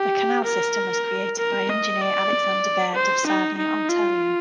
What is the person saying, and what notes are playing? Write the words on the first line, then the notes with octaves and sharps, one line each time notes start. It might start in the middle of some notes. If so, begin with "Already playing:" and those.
The canal system was created by engineer Alexander Baird of Sarnia, Ontario.
Already playing: G4
A#4
A#4
D#5
D5
C5
D#4
D#4
F4